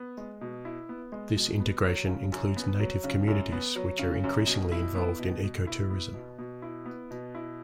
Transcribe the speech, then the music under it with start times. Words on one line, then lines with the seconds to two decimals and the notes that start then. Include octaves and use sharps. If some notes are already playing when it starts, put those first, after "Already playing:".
This integration includes native communities, which are increasingly involved in ecotourism.
Already playing: B3
0.17 G#3
0.41 B2
0.65 E4
0.89 B3
1.12 G#3
1.37 B2
1.60 B3
1.84 F#3
2.09 C#3
2.32 F#2
2.57 B3
2.79 F#3
3.04 C#3
3.27 F#2
3.52 B3
3.76 F#3
3.99 C#3
4.24 F#2
4.47 B2
4.72 E4
4.96 B3
5.19 B2
5.43 B2
5.67 E4
5.90 B3
6.14 B2
6.38 B2
6.62 E4
6.86 B3
7.11 B2
7.35 E4